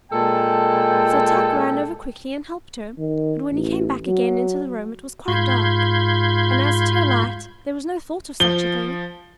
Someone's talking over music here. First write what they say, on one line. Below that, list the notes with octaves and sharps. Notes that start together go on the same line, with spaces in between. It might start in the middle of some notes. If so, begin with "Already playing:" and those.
So Tuk ran over quickly and helped her; but when he came back again into the room it was quite dark, and as to a light, there was no thought of such a thing.
A#2 G#3 A4 G5 A5
D#3
A1
F#3
G#2 F4 B5 C6 G6 G#6
F3 G7